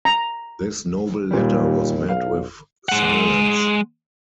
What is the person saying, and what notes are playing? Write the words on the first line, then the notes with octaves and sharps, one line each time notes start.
This noble letter was met with silence.
A#5
D#2 A#2 G3
B1 F5
G#3 F#5